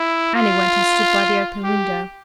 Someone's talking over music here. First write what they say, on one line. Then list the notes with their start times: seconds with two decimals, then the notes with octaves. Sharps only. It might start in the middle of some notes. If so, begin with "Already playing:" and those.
Annie went and stood by the open window.
Already playing: E4
0.35 F4
1.64 G4